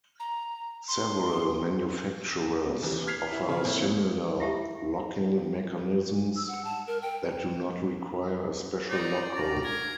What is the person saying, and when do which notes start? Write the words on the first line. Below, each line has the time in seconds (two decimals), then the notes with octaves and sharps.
Several manufacturers offer similar locking mechanisms that do not require a special lock hole.
0.20 A#5
0.88 C6
2.66 B2
2.83 D#2 C3 E3
3.07 F6 G#6 B6 C7 F7
3.32 E4
3.49 C#3 F4
3.65 F2 D3 A#3 C4 C#4 E4
4.40 E4 F4 G4 E5 A5
6.36 E6
6.48 F#5
6.65 A5
6.87 A#4
7.02 G5
8.90 D#4 C5 D5
9.35 C#4 A#5
9.64 A#4 G#6